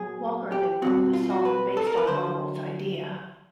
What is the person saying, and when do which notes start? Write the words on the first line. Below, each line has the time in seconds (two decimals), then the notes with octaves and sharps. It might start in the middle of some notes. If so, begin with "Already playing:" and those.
Walker then wrote the song based on Arnold's idea.
Already playing: A#2 F#3 B3 G#4
0.52 G4
0.82 B2 G3 C4 F#4
1.13 F4
1.30 F#4
1.45 B4
1.77 A4
1.87 A#4
1.97 B4
2.07 D3 F#3 C5